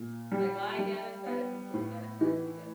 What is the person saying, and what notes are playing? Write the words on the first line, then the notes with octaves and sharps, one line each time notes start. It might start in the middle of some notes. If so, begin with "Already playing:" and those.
Like, why get out of bed if I'm getting out of bed to get
Already playing: A#2
G3
G3
B3
A2
E3